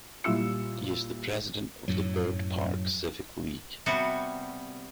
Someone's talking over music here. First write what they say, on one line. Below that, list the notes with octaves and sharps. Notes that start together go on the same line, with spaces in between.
He is the president of the Byrd Park Civic League.
A#2 G3 E4 F4 E6 C#7
F#2 A2 F#3
C3 G3 B3 F#4